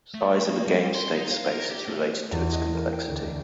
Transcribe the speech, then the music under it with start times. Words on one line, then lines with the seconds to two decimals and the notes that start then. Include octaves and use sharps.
The size of a game's state space is related to its complexity.
0.14 A3
0.50 A#3
0.67 G3
0.95 C6
1.13 D#4
1.32 F5
1.52 A#4
1.71 G4
1.88 A3
2.32 E2
2.52 D#5
2.74 A#4
2.93 G5
3.08 D2
3.21 A3